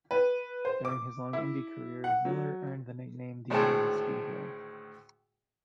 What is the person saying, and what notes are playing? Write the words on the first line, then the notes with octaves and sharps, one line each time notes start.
During his long Indy career, Miller earned the nickname Dean of the Speedway.
B4
C5
D6
E4
F#5
F#3
D2 A2 D#3 G#3 G#4 A5